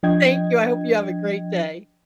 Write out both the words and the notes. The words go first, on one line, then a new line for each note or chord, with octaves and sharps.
thank you, I hope you have a great day.
F3 D4 D#5 G5 G#6